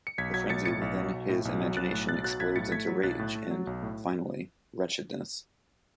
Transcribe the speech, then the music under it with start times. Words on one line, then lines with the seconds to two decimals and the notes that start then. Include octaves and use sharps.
The frenzy within his imagination explodes into rage and, finally, wretchedness.
0.07 C#7
0.18 B1 G#6 B6
0.34 F#3 G#6 B6
0.50 B1 A6 C#7
0.65 A2 A6 C#7
0.81 B1
0.97 F#3
1.13 B1
1.29 A2
1.45 B1
1.61 F#3
1.77 B1 F#6 A6
1.92 A2
2.09 B1 F#6 A6
2.24 F#3 F#6 A6
2.40 B1 G#6 B6
2.56 A2 A6 C#7
2.71 A3 G#6 B6
2.88 F#3
3.03 B1 F#6 A6
3.19 A2
3.35 A3
3.51 F#3
3.67 B1
3.83 A2